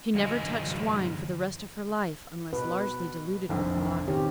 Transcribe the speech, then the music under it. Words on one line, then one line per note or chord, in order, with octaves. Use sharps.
She never touched wine for the rest of her life unless largely diluted with water.
F#2 D3 E3 D#5 G#5
B2 B4
F1 A#1 F2
A#2 D#3 C4 C#4 G4